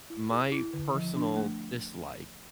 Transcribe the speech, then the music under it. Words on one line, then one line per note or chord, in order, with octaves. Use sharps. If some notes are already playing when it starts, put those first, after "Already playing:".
My personal dislike
E4
G#4
E4
D3
F3
D4
A3